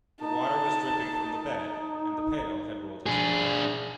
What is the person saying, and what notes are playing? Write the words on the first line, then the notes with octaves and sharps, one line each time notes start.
The water was dripping from the bed, the pail had rolled into a corner.
D#4 A5
D4 G#4